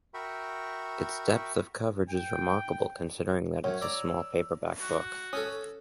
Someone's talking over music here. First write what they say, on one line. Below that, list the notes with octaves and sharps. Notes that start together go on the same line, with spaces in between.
Its depth of coverage is remarkable, considering that it is a small paperback book.
F#4 A#4 E5 G5 B5 C#6
G5
F#2 C#5
D5 A#5 E6
F#4
C#4 A4 D#6